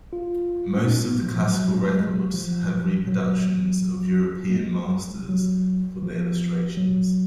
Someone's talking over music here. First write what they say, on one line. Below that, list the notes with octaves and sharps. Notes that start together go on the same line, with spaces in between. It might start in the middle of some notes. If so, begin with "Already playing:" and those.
Most of the classical records had reproductions of European masters for the illustrations.
F4
C#4
D#4
B3
F3
F#3
F#3
G#3
F#3
G#3
F#3
F3
F#3
A#3
G#3
F#3
F3
F#3